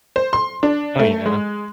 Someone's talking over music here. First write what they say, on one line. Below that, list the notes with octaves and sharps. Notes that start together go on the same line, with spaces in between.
Oh, yeah.
C5
C6
D4
A3
G#3